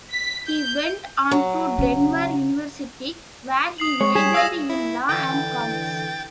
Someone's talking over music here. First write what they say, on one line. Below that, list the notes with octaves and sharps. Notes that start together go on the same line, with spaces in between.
He went on to Denver university, where he majored in law and commerce.
B6
G6
F#3
C#3
D#6 C7 F#7
G#3 C#5
G3 G#4 G#6 B6 E7
F5 D#6 E6 A#6
E4
D3 E3 G5 A6